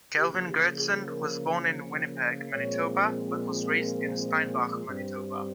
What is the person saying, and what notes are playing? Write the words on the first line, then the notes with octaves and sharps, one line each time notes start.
Kelvin Goertzen was born in Winnipeg, Manitoba but was raised in Steinbach, Manitoba.
C#3 F3 A#3 G4
G4
G#4
A#4
A#2 F3 G#3 C4 C#5
A#4
G2 G3 C4